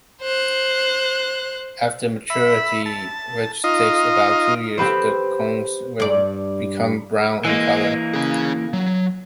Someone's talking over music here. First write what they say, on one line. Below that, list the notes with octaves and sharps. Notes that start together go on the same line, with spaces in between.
After maturity, which takes about two years, the cones will become brown in color.
C5 F#6
E5 B5
A5
D#4 F4 D#5
C4 G4 B4 C5
G2 D5
E3 A#3 D#5 G#5
C#4 G#4
F#3